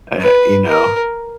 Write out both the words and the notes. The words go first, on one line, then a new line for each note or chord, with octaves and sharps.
eh, you know.
B4
A#4